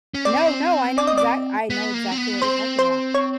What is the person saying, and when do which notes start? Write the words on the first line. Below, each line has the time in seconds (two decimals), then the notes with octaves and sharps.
No, no, I know exac I know exactly what you're talking about.
0.14 C#4
0.25 C4 D5
0.98 D5
1.07 D#5
1.18 D5
1.70 B3
1.94 A#3
2.11 C4
2.18 B3
2.42 C4 C5
2.79 C5
3.14 C#5